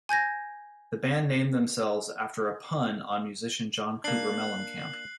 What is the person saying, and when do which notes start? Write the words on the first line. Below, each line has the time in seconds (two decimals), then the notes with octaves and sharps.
The band named themselves after a pun on musician John Cougar Mellencamp.
0.09 G#5 G6 G#6 A#6
4.04 A#3 D4 F#6 C7 F#7